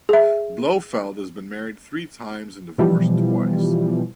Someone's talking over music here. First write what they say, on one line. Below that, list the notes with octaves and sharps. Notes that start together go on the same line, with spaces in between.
Blofeld has been married three times and divorced twice.
G#4 E5
B2 E3 F3 G3